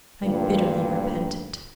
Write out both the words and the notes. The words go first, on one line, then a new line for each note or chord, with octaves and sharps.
I bitterly repent it.'
D2 G2 A#2 D#3 F3 B4